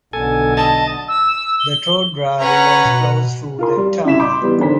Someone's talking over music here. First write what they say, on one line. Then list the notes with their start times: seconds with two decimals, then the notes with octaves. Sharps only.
The Tordera River flows through the town.
0.13 B1 D3 A4 G#5
0.57 D#5 A5 A6
1.08 E6
1.60 G7
2.40 C#4 B4 F#5 A#5
2.85 B2
3.59 F4 A#4 C6
3.77 G3
4.05 C#3 E4 B6 E7
4.19 D#5 B5 C6 D6 G6
4.42 E3 G3 B3
4.59 D3 D#3 C5 B6